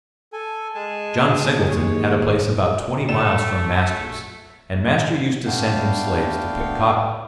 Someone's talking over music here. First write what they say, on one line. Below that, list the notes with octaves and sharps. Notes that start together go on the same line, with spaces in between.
John Singleton had a place about twenty miles from master's, and master used to send him slaves to pick cotton.
A4 G#5
G#3 G#5 A5
D#2 G#4 C#5
A3 D5 E7
A3 B3 D4 F5 G5